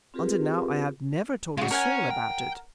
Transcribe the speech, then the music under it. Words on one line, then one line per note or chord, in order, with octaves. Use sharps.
Until now I have never told a soul about it.
C4 F4 G4 G#4 A#4 B4
A2 G#3 F4 F#4
C#4 A#4 F#5 G#5
G5